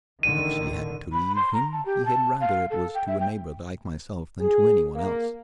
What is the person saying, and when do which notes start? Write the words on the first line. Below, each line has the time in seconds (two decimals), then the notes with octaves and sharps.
If she had to leave him he had rather it was to a neighbour like myself than to anyone else.
0.23 A1 D3 D#3 D#7
1.13 B5
1.35 C6
1.53 A#5
1.72 A5
1.85 G4
2.05 A5
2.41 F5
2.70 A4
2.95 G5
3.08 E5
3.20 G5
4.40 G#4
4.95 A#3